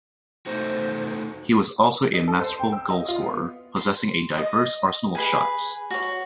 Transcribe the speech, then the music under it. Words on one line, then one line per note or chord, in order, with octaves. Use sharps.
He was also a masterful goal scorer, possessing a diverse arsenal of shots.
A3 D#4 F#4 C5
D#4
A4
C5
G5
E6
D#5
F4
B3
C6
D#5
G#4 B4 G#5
F#4 C#5